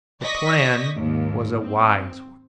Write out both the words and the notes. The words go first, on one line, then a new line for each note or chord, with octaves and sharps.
The plan was a wise one.
D5 D#5 C#6 A#6 B6
D#2 G#2
C4